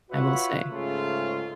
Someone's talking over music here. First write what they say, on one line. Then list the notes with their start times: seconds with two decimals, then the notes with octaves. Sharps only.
I will say.
0.10 F4 F#4 B4 C#5 E5 F#5
0.70 G#2 C#3 A3 F4